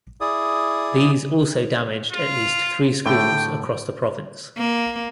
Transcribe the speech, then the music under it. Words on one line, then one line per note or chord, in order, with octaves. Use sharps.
These also damaged at least three schools across the province.
E4 G#4 D5 D#6
F4
A2 D3 A3 G5
A#3